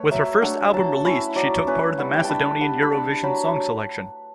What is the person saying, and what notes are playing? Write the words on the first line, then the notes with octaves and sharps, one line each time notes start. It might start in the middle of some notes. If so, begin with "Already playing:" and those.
With her first album released, she took part in the Macedonian Eurovision song selection.
Already playing: A3 B4 C#5
F#3 E5
A3 D4 F#5
F#3 A5
C#4 E4 B5
F#3 D5
C#4 E4 B4
G3 F#5
G5
D4 A5 B5
A5
G3 F#5
B5
D4 A5
F#3 B5